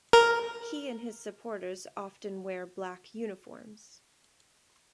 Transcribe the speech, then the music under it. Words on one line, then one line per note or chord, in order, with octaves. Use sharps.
He and his supporters often wear black uniforms.
A#4